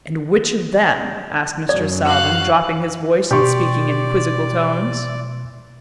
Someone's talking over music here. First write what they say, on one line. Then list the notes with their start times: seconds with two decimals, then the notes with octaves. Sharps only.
"And which of them ...?" asked Mr. Salvin, dropping his voice and speaking in quizzical tones.
1.69 F#2 D5
2.05 F#4 F5 F#6
3.31 B2 G4 D5 C6 C#6